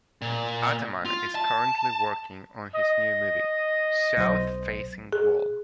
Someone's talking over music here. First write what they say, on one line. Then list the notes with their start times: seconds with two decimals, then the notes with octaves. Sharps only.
Ataman is currently working on his new movie, "South Facing Wall".
0.22 A#2
1.05 F4
1.35 A5
2.75 D#5
4.17 B1 C5
5.13 G#4